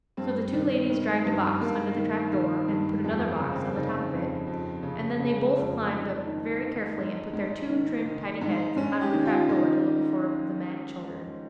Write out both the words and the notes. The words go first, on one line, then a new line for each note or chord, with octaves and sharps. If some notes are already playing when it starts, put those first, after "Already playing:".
So the two ladies dragged a box under the trap-door and put another box on the top of it, and then they both climbed up very carefully and put their two trim, tidy heads out of the trap-door to look for the 'mad children'.
G2 C4
D#3
D#3
G2
G2 A#3
D#3
D#3
G2
F2 G#3
A#3
C#3
C4
C#3 D#4
F2
F2
C#3
C#3
G#3
F2 G#3
A#3
G#2
D#3
D#3
G#2
G#2
D#3
D#3
G#2
G#2 C#4
G4
D#3
F4
D#3 D#4